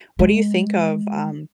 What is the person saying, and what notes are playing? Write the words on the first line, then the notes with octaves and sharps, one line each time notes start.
What do you think of, um
G#3